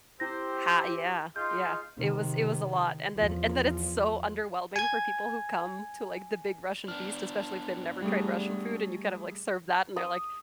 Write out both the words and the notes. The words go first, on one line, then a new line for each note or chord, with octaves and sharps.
Ha yeah, yeah. It was it was a lot, and then and then it's so underwhelming for people who come to, like, the big Russian feast, especially if they've never tried Russian food and you kind of, like, serve that and they're like,
C4 E4 G4 C5 A#6
G#3 D#4 F4 C6 G6
C3 D#3
E2 F3
G#5 G#6
B3 D4 F6
G3 A3 G#4
D#6